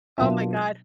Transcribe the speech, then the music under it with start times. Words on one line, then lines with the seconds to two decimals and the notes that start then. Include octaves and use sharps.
Oh my god.
0.18 B2 F#3 A#3 D4 F4 E5